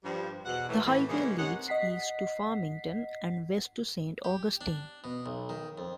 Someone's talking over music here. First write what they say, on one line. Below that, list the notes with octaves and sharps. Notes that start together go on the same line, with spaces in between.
The highway leads east to Farmington and west to Saint Augustine.
G2 F3 G3
E2 B2 F#5
A2 E3 F#3
A2 E3
C#3 G#3 A#3 B3 C#4 D#4
C3 C#5 D#5 F#5
D#5 F#5 B6 C7
G4
D4
B2
B1
D#3
F2